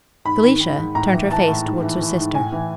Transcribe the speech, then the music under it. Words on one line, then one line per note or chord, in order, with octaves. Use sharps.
Felicia turned her face towards her sister.
G#2 B5
D#3
D#3
G#2
A2 A#5
E3
E3 A5
A2
G#2
E3
E3
G#2
A2 G#5
E3